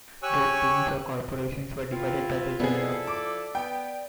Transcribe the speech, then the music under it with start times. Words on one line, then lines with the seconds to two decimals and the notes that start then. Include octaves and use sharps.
Both teams, or "corporations", were divided by their gender.
0.23 G4 C#5 G#5 C#6 E6 F#6
1.92 E4 F4 G5
2.60 F3 B3 C4 E4 G#4 A4 D5
3.07 D6
3.55 B3 G5